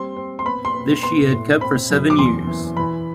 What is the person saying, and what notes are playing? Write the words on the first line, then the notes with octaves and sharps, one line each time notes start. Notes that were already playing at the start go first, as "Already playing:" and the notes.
This she had kept for seven years.
Already playing: G3 C4 C6
C4
C6
B3 B5
C6
B3
B3 C6
A2
C4 B5
F#2
D6
E2 C6
E3
E3 B5